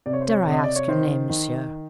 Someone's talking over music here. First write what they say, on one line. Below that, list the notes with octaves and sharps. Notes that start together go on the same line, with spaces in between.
Dare I ask your name, monsieur?'
C3 D5
C#5
C5
C#5
C3 D#5
D5
C#5
D#3 C5
D#3